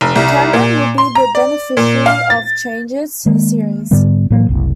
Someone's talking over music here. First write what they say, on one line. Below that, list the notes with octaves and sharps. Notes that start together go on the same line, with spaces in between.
Cameron will be the beneficiary of changes to the series.
F1
C2
A#2
C6
A#5
D5
A#2
F5
A6
D#3 G#3 A#3
G#2 D3 G3 B3
A2 E3 F#3 A#3
F#1 C2